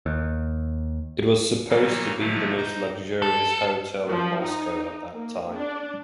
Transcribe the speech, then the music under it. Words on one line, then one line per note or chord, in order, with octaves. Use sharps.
It was supposed to be the most luxurious hotel in Moscow at that time.
D#2
D#3 E3 F#3 G3 A#3 D#4
B2 D3 F3 F#3 A3 A#3
D#4 C5 D#5
A4
F3
D#4
A#3
D4